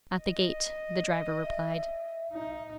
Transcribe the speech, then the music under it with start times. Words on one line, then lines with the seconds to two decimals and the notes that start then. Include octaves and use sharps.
'At the gate,' the driver replied.
0.22 D#5
1.43 E5
2.32 D#4